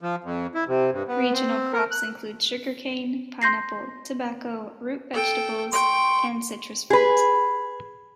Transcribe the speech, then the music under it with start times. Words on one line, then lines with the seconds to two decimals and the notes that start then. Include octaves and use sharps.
Regional crops include sugarcane, pineapple, tobacco, root vegetables, and citrus fruits.
0.01 F3
0.24 F2
0.55 E4
0.68 C3
0.92 G2
1.08 B3
1.33 C4
1.73 A#4
1.91 F#6
3.42 C6 G6 A#6 C7
5.14 A4 G5
5.73 G5 C6 C#6
6.90 G#4 B4